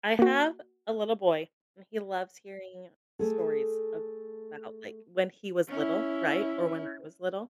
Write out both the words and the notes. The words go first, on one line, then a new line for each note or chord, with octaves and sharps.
I have a little boy, and he loves hearing stories about, like, when he was little, right, or when I was little.
A#3 F#4
A3 G#4 A4
C#4 E4